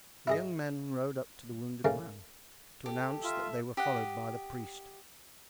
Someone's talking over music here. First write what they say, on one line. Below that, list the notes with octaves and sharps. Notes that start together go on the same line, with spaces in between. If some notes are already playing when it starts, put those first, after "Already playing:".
The young men rode up to the wounded man to announce that they were followed by the priest.
E4 G#4 D#5
C#3 A3 A#3 C#4
G4 A4
F4 E5
G4 D#5 F#5